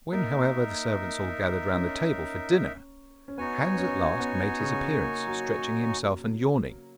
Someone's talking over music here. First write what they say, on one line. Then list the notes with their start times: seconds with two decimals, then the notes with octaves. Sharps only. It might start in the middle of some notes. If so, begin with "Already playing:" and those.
When, however, the servants all gathered round the table for dinner, Hans at last made his appearance stretching himself and yawning.
0.12 A#3 D#4 A#4 E5
1.75 C#4
3.28 C#4
3.38 B3 D#4 F#4 C#5 G#5
3.74 B3
3.78 C#4
4.20 B3
4.60 C#3
5.01 A#3
5.27 F#3